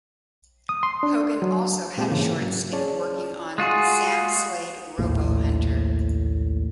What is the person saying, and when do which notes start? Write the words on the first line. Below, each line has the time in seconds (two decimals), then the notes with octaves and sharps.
Hogan also had a short stint working on "Sam Slade, Robo-Hunter".
0.69 D#6
0.83 C6
1.03 D4
1.42 F#3
1.98 A#2 G#3 C4 G4
2.10 G#2 C#3 E3 A#3
2.41 F#3
2.73 C#4 G#4 C#5 D5 A5
3.58 G#3 F4 F#4 G#4
4.99 A#1 D#2 A2